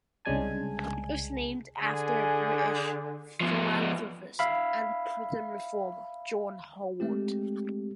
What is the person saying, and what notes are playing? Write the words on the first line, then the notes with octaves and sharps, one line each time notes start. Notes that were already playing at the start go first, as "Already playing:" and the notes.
It was named after a British philanthropist and prison reformer, John Howard.
C2 C#3 G#3 D4 G#5 A5
D3 G#4 G#5
F3 B3
E5 F5 B5
G#3 A3 C4 G4